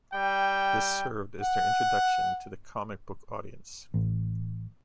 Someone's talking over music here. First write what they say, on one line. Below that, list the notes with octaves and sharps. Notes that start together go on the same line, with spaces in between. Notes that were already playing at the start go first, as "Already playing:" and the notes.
This served as their introduction to the comic book audience.
G3 G5
F#5
A1